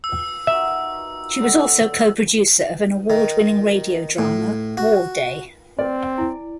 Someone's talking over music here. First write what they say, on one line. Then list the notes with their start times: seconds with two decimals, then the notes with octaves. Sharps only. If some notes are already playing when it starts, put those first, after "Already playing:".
She was also co-producer of an award-winning radio drama, "War Day".
0.04 E6
0.47 D#4 F#4 A#4 E5
1.39 D3 F#3 B3
3.10 D#3
4.18 A2
4.77 F#4
5.79 C4 B4 D5
6.18 E4 G#5